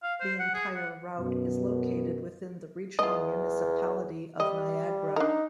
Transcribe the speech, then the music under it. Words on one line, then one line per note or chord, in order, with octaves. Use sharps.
The entire route is located within the Regional Municipality of Niagara.
F5
C5
F#5
G#4
F#5
F#2 B2
E2 F4 D#5
G3 D#5
D4 D#4 A#4